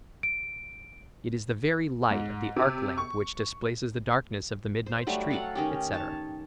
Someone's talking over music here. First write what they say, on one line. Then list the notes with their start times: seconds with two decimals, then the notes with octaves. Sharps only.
It is the very light of the arc-lamp which displaces the darkness of the midnight street, etc.
0.23 D7
2.11 G#2
2.56 C3
2.98 C#6
4.86 C5
5.07 F#3 G3 A3 F#4
5.31 F#3 A4 F5 F#5
5.55 D#3 C#4 G4
5.93 C#5 A5